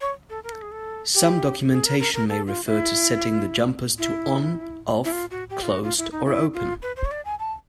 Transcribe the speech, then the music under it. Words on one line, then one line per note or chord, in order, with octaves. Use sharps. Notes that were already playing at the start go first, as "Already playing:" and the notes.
Some documentation may refer to setting the jumpers to on, off, closed, or open.
C#5
A4
A#4
A4
G#4
A4
G4
G#4
A#4
A#4
A#4
A4
F4
E4
E4
E4
F4
F#4
G4
F4
F#4
F4
E4
D#4
E4
F4
B4
C5
C#5
D5
G#5
A5